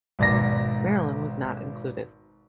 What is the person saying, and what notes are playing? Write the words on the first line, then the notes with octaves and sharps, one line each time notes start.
Marilyn was not included.
G#1 B2 D5 A#5 A#6